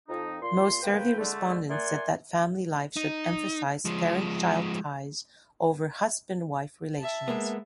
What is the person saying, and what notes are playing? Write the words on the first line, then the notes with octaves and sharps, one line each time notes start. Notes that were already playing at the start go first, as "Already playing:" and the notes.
Most survey respondents said that family life should emphasize parent-child ties over husband-wife relations.
F2 D#4
A#2 C6
A#3 B4 C5 G5
D3 G#3 A3
A#4 D5 E5 F#5 G#5 C6
D#4
F3 G#3
E5 A5
G#3 A#3 B3